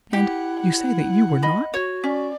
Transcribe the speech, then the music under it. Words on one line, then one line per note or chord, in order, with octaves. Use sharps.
"And--you say that you were not?"
E4 G4 F#5
F#5
D#5 B5
F#4 C#5
C#4 D5